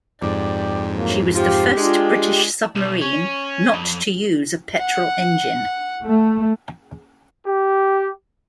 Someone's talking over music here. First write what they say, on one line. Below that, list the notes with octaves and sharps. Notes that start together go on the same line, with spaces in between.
She was the first British submarine not to use a petrol engine.
F2 G#2 G4 D5
A2 F#3 A#3
F3 F4 G4
G#3 D4 F4
B1
C#4
F2
F#5
A3
G4